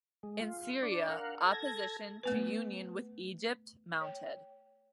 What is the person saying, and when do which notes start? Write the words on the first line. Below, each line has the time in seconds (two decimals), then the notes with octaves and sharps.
In Syria, opposition to union with Egypt mounted.
0.23 G#3
0.42 F4
0.83 D4 D5
1.10 A#4 F5 F#5
1.45 A4 G#6 A#6
2.23 A3 B3 B4
4.01 C#5 G5